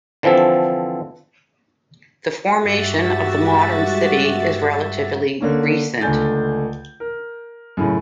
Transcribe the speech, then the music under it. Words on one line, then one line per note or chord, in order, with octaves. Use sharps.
The formation of the modern city is relatively recent.
D3 E3 F3 C4 A4
G2 G#3 F#4 G4 E5 A6
D3 A#3 C#4
C#2 D3 A3 G#5 G6 A6
A#4
F#2 A2 C#3